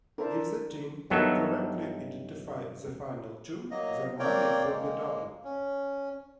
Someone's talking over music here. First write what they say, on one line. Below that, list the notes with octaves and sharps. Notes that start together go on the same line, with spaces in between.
If the team can correctly identify the final tune, their money will be doubled.
D4 E4 A4 A#4 C5
G2 F#3 B3 D#4 A4 E5
F#3 A#3 D#5
A#3 C4 A#4 C#5 D5 G5
G#3 A#3
C#4